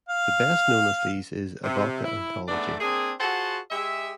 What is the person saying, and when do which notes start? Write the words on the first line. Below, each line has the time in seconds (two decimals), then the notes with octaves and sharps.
The best known of these is Avoca Anthology.
0.08 F5
1.64 C3
2.04 E4
2.47 G#2 A3 B3 D4 D5
2.80 A#3 C4 D4 G#4
3.20 F4 F#4 G#4 C5 F#5 A5
3.70 G#3 G4 G#4 E5